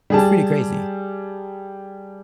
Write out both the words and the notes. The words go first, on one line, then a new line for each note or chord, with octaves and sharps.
It's pretty crazy.
G3 G#4 A5